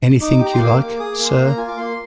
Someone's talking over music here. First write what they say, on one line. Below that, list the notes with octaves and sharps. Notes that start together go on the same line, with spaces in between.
Anything you like, sir.
D#4 D6
G4
A#5
C6
A#3 D6
A#3
G#4 D#6
D6
A#3
C6
A#3
A#5
F4 G#5
D6
A#3 C6